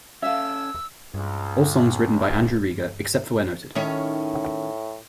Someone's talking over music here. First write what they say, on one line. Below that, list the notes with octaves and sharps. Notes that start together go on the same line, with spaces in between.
All songs written by Andrew Rieger, except for where noted.
C#4 A4 E5 F5 E6
C#2 G2
A2 D#3 C#4 C#5